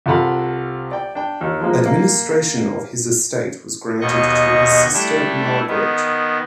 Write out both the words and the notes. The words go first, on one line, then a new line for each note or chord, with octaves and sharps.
Administration of his estate was granted to his sister Margaret.
C2 F4 A4 F5 F#5 B5
D5 G5
D4 G5
D#2
F3 G#3 A#3
A#3
D#2 B2 D#5 C#6
G3 A3 D4 E4
D#3 B3